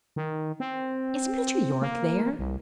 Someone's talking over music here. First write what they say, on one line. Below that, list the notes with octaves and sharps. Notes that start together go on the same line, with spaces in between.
"Is Mr. Yorke there?"
D#3
C4
A#3
C2